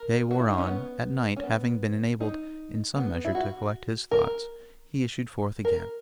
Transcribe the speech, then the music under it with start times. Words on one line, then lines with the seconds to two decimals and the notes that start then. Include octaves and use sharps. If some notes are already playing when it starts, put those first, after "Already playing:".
The day wore on; at night, having been enabled in some measure to collect his thoughts, he issued forth again.
Already playing: A#4
0.31 F#4
0.40 E4
0.49 D#4
0.58 C#4
0.66 B3
1.36 C#4
1.43 B3
2.20 D#4
2.96 B3
3.25 E4
3.35 F#4
4.11 A#4
5.65 A#4